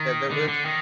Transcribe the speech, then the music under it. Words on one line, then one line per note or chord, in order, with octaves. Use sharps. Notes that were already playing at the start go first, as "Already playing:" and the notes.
The there was
Already playing: D#3
D3
D3
D#3